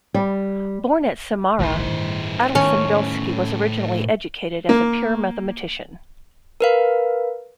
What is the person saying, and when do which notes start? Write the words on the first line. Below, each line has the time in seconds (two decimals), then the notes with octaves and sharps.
Born at Samara, Adelson-Velsky was originally educated as a pure mathematician.
0.14 G3
1.60 G1 C2 A2 D#3 C5
1.87 G2 D#3
2.55 D#3 C#4
4.69 A#3
6.61 A#4 B4 F5